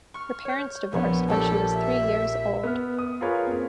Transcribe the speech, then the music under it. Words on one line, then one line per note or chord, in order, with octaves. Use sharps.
Her parents divorced when she was three years old.
C#6 F6
C#5 G6
A#1 F3 B3 C#5
A#1 G4 A4 G6
E5
B3 F6
D#6
F4 G#4 A#4 B4 C#5 F5
A#3 C4